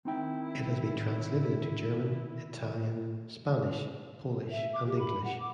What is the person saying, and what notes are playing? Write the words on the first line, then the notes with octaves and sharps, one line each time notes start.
It has been translated into German, Italian, Spanish, Polish, and English.
D#3 C4 D#4 E4 G5
E5
D6
G4
B5
F#5
D6